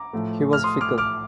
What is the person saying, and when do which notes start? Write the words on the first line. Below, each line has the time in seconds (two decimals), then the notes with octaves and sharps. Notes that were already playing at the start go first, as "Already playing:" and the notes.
He was fickle.
Already playing: A#5 D6
0.13 A2 F3 A3
0.53 F6
0.64 C6 D#6
0.81 D6 F6
0.98 D6 F6